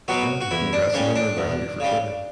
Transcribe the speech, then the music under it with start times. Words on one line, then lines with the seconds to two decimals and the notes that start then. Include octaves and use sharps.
Yeah, and congrats to her on her Grammy, for sure.
0.08 B2 F#3 B3 F#4
0.41 F#4
0.51 E2 E4
0.73 D4
0.94 C#3 G3 C#4
1.16 D4
1.37 E2
1.80 C#3 G3